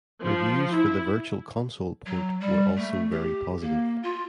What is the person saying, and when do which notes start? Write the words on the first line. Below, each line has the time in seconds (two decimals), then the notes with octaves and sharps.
Reviews for the Virtual Console port were also very positive.
0.21 F3
0.74 E4
2.06 F#3
2.40 G3
2.77 A3
3.11 G4
3.62 A#3
4.03 F4